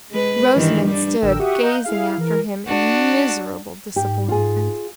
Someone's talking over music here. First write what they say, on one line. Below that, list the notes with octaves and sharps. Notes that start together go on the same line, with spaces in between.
Rosamond stood gazing after him in miserable disappointment.
G#3 B4
G2 D#3 E3
G3 D4
A1 D3 A#4 G5 E6
F#4 G4 E5 F#5 C#6 D#6
D#5 F5 F#5 A#5 F#6 G6
E4 G#4 F5
E3 A#4
D4 F#4
G#2 G4
F4 G#4